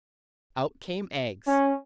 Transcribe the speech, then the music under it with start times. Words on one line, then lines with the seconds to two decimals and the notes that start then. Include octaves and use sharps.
Out came eggs.
1.47 C#4